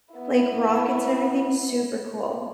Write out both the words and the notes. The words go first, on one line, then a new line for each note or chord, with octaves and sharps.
like, rockets and everything. Super cool.
B3 E4